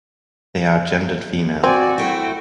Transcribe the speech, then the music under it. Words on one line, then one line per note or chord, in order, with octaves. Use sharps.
They are gendered female.
C4 F#4 D5 G#5
A3 E4 G5